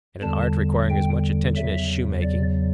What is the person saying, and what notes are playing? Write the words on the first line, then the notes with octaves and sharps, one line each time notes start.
And an art requiring as much attention as shoemaking?
E2 D3 G3 A5
G5
E2 C#3 F#3 E5
D5